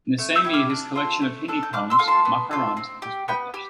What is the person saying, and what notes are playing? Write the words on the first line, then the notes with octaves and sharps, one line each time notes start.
In the same year his collection of Hindi poems "Makarand" was published.
A3
E6 G6
E4 G4
D6 F6
D4
F4 A4
A3
D4 A4
G6
D4 D6 F6
C6 E6
F4 A4
A5 C6
B3
F4 A4
C4
G4
B3 G5 B5
G4